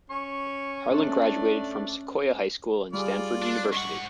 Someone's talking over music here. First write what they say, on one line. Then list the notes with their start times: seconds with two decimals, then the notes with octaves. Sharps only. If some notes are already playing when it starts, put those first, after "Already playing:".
Harlin graduated from Sequoia High School and Stanford University.
0.10 C#4 C#6
0.91 A3 C#4 D4
2.93 G3 F4 G#4 D5
3.42 D4
3.72 G#2 F#5 C#6